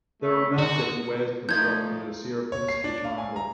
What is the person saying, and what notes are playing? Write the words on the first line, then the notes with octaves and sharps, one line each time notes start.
There are many different ways of constructing the Sierpinski triangle.
A3
G#3 F#4
F3 A3 D#4 G6 G#6
C#5
C7
D4
F5
G#5
A#5